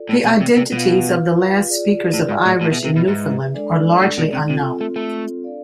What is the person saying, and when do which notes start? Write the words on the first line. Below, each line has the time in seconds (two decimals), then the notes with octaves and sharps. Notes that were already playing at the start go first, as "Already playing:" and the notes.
The identities of the last speakers of Irish in Newfoundland are largely unknown.
Already playing: F4 A4 D5
0.09 A2
0.25 B2
0.40 C3
0.57 C3
0.72 B2 F4 B4 F5
1.67 F4 G#4 D5
2.13 A2
2.29 G#2
2.45 A2
2.61 A2 E4 G#4 B4 E5
2.72 B2
2.85 C3
2.96 B2
3.07 G#2
3.54 G#3 D4 A4 D5
4.02 A2
4.17 B2
4.33 C3
4.49 C3 C4 F4 A4
4.81 A3
4.96 A3
5.44 D4 A4 D5 F5